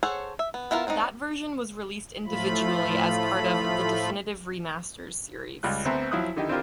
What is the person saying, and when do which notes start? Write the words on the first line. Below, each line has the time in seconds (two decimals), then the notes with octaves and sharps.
That version was released individually as part of "The Definitive Remasters" series.
0.03 G#4 A4 C5 C#5 F#5
0.39 E5
0.54 B3
0.71 B3 E4 F4 A4 A#4
0.87 B3 C4 D4 D#4
2.26 A2 F3 A3 F4 B5
5.63 C#2 G3 F4 F#6
5.85 D2 B3 C4 C5 E5 A#5
6.11 F3 F#3 E4 F5 D#6 F#6
6.36 D3 D#3 D#4 E4 G4
6.49 C4 D4 E4 F4 G4 A#4